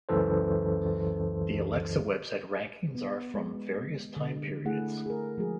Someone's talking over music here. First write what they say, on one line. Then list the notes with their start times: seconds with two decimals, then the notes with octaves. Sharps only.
The Alexa website rankings are from various time periods.
0.09 C#2 F#2 E3 A4 C5
2.95 B3
3.34 G#3
4.17 D3
4.65 A3 E4 G#4 F#5
5.06 G#4 A#4
5.38 F3 G#3 F#4 G#4